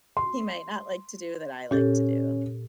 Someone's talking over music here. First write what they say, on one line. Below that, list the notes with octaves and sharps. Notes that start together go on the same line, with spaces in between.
he might not like to do, that I like to do.
C6
A#2 C#4 G4 A4